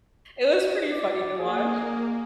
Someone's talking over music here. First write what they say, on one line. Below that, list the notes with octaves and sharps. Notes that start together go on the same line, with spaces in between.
Iit was pretty funny to watch.
D5
A#3 G#4